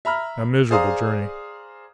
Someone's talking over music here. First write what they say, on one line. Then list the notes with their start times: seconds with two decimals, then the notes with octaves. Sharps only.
A miserable journey.
0.05 E5 A#5 B5 F6
0.71 G#4 C5 D5 F5 A#5 D#6